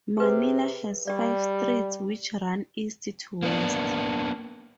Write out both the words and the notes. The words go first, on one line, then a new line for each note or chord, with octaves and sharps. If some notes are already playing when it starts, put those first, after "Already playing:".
Manila has five streets which run east to west.
C3 G#4 B4
G3 G4 D5
A#3 B3 D4